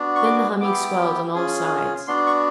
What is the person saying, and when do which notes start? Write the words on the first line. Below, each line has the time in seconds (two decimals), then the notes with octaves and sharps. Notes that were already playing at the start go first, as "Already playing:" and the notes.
Then the humming swelled on all sides.
Already playing: B3 D4 F#4
0.15 C#6
0.25 D6
0.61 B3 E4 G4 D6
1.34 C#4 F4 G#4
2.08 B3 D4 F#4 C6
2.27 C#6